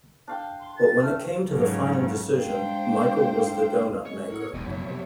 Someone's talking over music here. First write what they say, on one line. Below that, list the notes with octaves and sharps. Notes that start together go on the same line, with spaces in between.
But when it came to the final decision, Michael was the donut maker.
D4 F5 G5
C6
A6
A3 F6
G#2 C#3 F3 F#3
G#3 D4 C5 F5 G5
G#3 C#5
A2 A#4 F#5
E1 F2 B2 D5 D#5 G#5
F#1 F#3 C#5 E5
C3